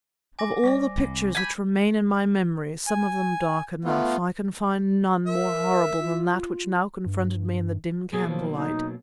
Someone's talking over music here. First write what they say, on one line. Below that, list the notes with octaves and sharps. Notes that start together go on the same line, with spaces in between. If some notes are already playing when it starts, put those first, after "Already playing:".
Of all the pictures which remain in my memory, some of them dark enough, I can find none more horrible than that which now confronted me in the dim candle-light.
G#5 D6 A#6
G3 C5 D5
C2
G#5 B5 G6
G#5
A3 B3 F4
A#4 E5
F4
G2
B2 F#3 A#3 G#4
F3
D#4